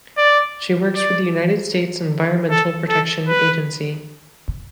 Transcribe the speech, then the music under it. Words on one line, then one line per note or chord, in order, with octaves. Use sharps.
She works for the United States Environmental Protection Agency.
D5
D5
A4
A4
B4